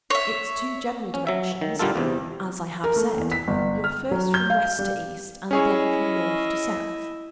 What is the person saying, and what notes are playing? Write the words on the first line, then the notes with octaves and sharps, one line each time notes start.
Its two general directions, as I have said, were first from west to east, and then from north to south.
C#5 E5
C#4
F#3 E5
D#3
A#2 D3 G3 A#3 F4 A4
E2 C3
A#4
A3
E2
B6
G1
F6
F#3
G6
F5
G3
C#4 E4 G#4 C#5 D#5